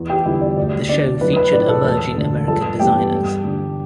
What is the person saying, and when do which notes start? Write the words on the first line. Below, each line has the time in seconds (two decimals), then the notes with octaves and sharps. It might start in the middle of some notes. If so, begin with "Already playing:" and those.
The show featured emerging American designers.
Already playing: E2
0.10 G4 G5
0.25 D3 G3 B3 D4 E4 E5
0.41 D5
0.57 D2 D5
0.89 D3 B3 D4 D5
1.21 B1 B4
1.37 B4
1.52 A2 A3 D4 D5
1.68 A4 A5
1.84 E1 A4 A5
2.16 D2 D3
2.47 G1 A4 A5
2.80 G2 E3 B3 G4 G5
3.12 G2
3.44 D3 G3 D4